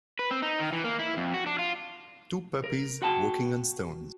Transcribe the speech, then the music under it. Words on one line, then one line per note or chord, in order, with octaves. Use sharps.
Two puppies walking on stones.
B4
C4
D#4
D#3
E3
A#3
E4
F2
F#4
D4
F4
A#4
F#4 F#5 G5 A5